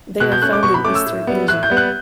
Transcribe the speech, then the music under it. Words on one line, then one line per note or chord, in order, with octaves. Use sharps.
They are found in eastern Asia.
B2 F#6
G6
A3 C#4 F#6
D6
B2 C#6
B5
A3 C#4 D6
E6
A2
G3 B3
A2 F#6
G6
G3 B3
F#6